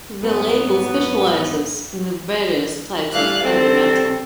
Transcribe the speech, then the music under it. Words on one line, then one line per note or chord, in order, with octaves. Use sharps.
The label specializes in various types of heavy metal.
G#2 F#3 B3
A2 E3 G3 F5 F#6
D#3 G3 C4 A4